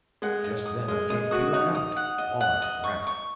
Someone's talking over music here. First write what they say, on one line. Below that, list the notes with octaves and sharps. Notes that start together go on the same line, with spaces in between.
Just then up came Peter Rabbit, all out of breath.
G#3 F#5
D#5
D#6
G#3 D#5
G#3 D#5
F#4 D#6
D#4 F#4
D#6
F#5
D#5
F#5
D#5
C#6
C#6